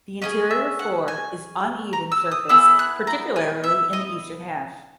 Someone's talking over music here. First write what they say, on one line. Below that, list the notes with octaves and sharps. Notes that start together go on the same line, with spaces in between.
The interior floor is uneven surfaced, particularly in the eastern half.
C#4 E4 G#4 D#5
E5
F#5
G#5
A#5
E6
D#6
B3 E4 G#4 E6
F#6
A#5
G#5
E5
D#5